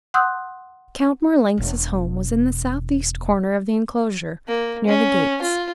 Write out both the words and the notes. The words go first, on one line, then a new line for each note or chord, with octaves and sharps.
Count Marlanx's home was in the southeast corner of the enclosure, near the gates.
F#5 C6 D#6 E6 F#6 G6
E1 B2
A#3
C#4
F4